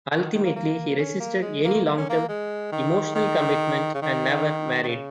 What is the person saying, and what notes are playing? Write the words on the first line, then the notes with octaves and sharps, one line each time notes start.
Ultimately, he resisted any long-term emotional commitment, and never married.
C#3
D#3
D#3
A#3
A#3
C#4
A#3
G#3
A#3
A#3
C#4
A#3
G#3
D#3
D#3
C#3
D#3
D#3
C#3